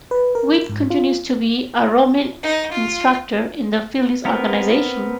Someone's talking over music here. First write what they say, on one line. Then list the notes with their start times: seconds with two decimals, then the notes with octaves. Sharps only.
Whitt continues to be a roaming instructor in the Phillies' organization.
0.11 B4
0.35 A#4
0.69 G#2
0.90 F4
2.43 D#4
2.71 F4
4.25 B3 C4 A#4